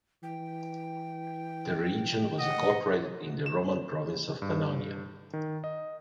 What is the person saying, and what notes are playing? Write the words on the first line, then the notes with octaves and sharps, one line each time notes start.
The region was incorporated in the Roman province of Pannonia.
E3 G5
D#5 F#5
E7
G2
D#3
D#5